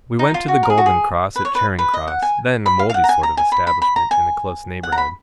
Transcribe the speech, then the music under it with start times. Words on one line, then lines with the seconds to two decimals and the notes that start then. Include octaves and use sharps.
We went to the Golden Cross at Charing Cross, then a mouldy sort of establishment in a close neighbourhood.
0.19 D#4
0.34 F4
0.48 F#4
0.63 A#4
0.70 G#4
0.78 F#4
0.86 G#4
1.36 B4
1.45 C#5
1.55 B4
1.79 B4
1.94 D#5
2.07 F#5
2.22 G#5
2.66 B5
2.79 F5
2.90 F5
2.94 F#5
3.04 A#5
3.09 G#5
3.23 A#5
3.37 G#5
3.52 B5
3.67 B5
3.82 B5
3.96 A#5
4.11 G#5
4.83 F#5
4.92 A#5
4.98 B5